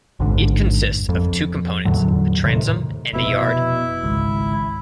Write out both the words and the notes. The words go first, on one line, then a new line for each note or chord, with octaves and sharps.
It consists of two components, a transom and a yard.
A1 F2 G#2 D3
F2
E2 A2 D3 F#3
A2 C3 D#3
F1 B2 E4 E5
G#1 C#2